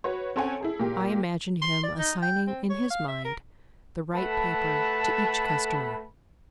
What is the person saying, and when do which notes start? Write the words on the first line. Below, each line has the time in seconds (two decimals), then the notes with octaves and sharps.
I imagine him assigning in his mind the right paper to each customer.
0.04 F#4 B4 C#5
0.36 C4 C#4 A4 C#5 F#5 G#5
0.61 E4 G#4 A4
0.80 A#2 G4
1.62 C6
1.83 D5
1.99 D#4
2.22 G5
2.47 C4
2.70 C#5
2.90 F5
3.08 E5
3.25 A#4
4.14 A3 A4 B4 F#5 A5 B5